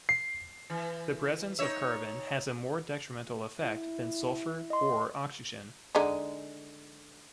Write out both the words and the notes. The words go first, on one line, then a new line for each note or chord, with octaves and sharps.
The presence of carbon has a more detrimental effect than sulfur or oxygen.
C7
E3
D#4 C#5 E5
E4
D#5 C6
D3 G#3 D#4